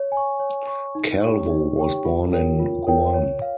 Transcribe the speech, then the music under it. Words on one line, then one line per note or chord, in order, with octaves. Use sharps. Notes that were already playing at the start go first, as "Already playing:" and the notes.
Calvo was born in Guam.
Already playing: C#5
G#5
C#6
C#5
G#5 C#6
D#4
G4 C#5 G5 C#6
D#4
G4 C#5 G5 C#6
F4
A#4 C#5 G5
F4
A#4 C#5 G5
C#5
F5